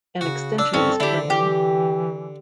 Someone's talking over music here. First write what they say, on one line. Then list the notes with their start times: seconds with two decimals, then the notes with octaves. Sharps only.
An extension is planned.
0.21 C#3 F#4
0.59 D4 E6
0.74 G2 C4 C#4 A4
1.00 D3 E4 G4
1.30 E3 G4